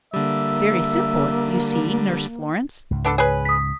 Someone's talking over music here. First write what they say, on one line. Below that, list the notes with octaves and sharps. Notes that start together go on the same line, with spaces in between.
Very simple, you see, Nurse Florence!
D3 G3 A#3 E5
C#2 G#2
B3 D4 A4
G#4 B4 C#5
D#6 B6